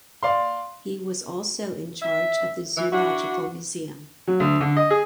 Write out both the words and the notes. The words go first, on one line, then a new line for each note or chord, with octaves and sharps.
He was also in charge of the Zoological Museum.
D5 F5 C6
E5
E3
D4 E4 F#4
F#3
D2
D3
D#5
G#4